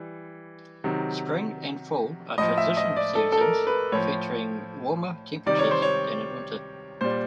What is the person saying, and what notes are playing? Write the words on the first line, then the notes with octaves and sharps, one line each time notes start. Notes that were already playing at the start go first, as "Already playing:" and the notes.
Spring and fall are transition seasons featuring warmer temperatures than in winter.
Already playing: E3 G3
C3 D#3 F#3
A2 F3 D#5
E5
D#5
D5
A4
A4
A#4
B4
A2 F3 C#5
C3 D#3 G3 D5
C#5
C5
C#5
A#2 G3 C5